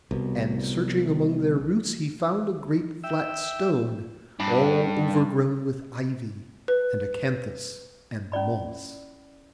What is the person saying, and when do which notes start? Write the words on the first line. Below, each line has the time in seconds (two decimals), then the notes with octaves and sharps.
And searching among their roots he found a great flat stone, all overgrown with ivy, and acanthus, and moss.
0.11 C2 B2
3.04 E5 G5 E6
4.40 G2
6.68 B4
8.32 C#4 E4 D5 B5